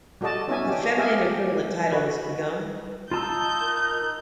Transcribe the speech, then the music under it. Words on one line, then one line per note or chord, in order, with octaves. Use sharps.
The feminine equivalent title was Begum.
G3 F#4 A4 D5 D#5 A5
B3 C#4 D#4 F#4 E5 G#5
D4 G4
G4 G#4 E5 F5 G#5
G4
F#4 B4
D#4 F4 A5 E6 G6
A#4